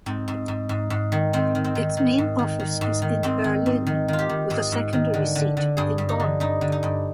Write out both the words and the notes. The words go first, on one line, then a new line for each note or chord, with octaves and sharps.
Its main office is in Berlin, with a secondary seat in Bonn.
G#2 C4
G#2
G#2
G#2
G#2
D#3
D#3 C4
D#3
C4
D#3
D#3
G#2
D#3
D#3
G#2
D#3
G#2 C4
D#3
G#2
D#3
D#3 F4
G4
D#3
G#2 G#4
G#2
D#3
D3
D3
D3
G2 G#4
G2
D#4
D3
G2 D#4
D3
D#4
G2